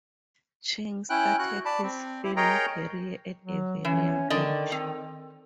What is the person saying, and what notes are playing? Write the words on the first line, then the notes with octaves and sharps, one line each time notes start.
Chang started his film career at a very young age.
C#4 E4 G5 F#6
F#4 F#6
D5 A5 B5
C4
E4 G4
G#4 A#4 C#5 D#5 G5 A#5
F#3
E3 C#4
D3 D#3 D5 D#5
C4